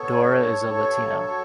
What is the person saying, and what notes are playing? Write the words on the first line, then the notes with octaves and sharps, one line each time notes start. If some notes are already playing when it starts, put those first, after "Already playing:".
Dora is a Latina.
Already playing: B3 A4 C#5
G2
G2
G2
F#3
F#3